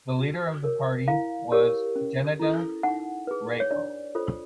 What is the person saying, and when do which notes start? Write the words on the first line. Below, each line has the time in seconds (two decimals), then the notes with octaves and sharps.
The leader of the party was Gennady Raikov.
0.19 F#4
0.64 A#4 C#5
1.08 E4 F5
1.52 G4 A#4 C#5
1.96 C#4
2.40 E4 A4
2.83 D#4 F#5
3.27 G#4 B4
3.60 C#5
3.71 D4 D5
4.15 F4 A4 C5